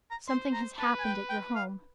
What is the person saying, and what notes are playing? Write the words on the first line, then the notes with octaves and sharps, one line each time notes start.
Something has happened at your home.
A#5
C5 C6
A#5
B4 A5
G#5
G5
G5
F5